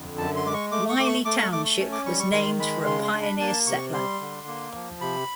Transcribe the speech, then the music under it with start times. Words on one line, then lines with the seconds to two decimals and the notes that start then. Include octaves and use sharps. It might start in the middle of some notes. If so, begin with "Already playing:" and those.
Wylie Township was named for a pioneer settler.
Already playing: F2 D3
0.18 F#2 A5
0.36 C6
0.45 G#3 D6
0.53 C#6
0.72 A3 D6
0.89 C#6
0.98 A3 D6
1.07 C#6
1.25 A3 D6
1.39 C#6
1.52 A3 D6
1.65 C#6
1.79 C#4
1.92 D6
2.06 G3 C#6
2.19 C#6
2.32 D#3 C6
2.59 G#3 B5
2.86 C#3 C6
3.05 C6
3.13 D4
3.22 B5
3.40 A#3 A5
3.67 C3 C#6
3.93 G3 C6
4.21 D3
4.47 A#3
4.75 F3
5.01 C3 B5